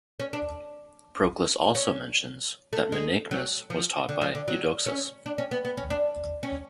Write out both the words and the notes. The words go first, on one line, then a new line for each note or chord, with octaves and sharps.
Proclus also mentions that Menaechmus was taught by Eudoxus.
C#4
D4
C#4
A3
G#3
F#3
F3
D3
F3
D3
F#3
C#4
D4
C#4
B3
B3
C#4
D4
C#4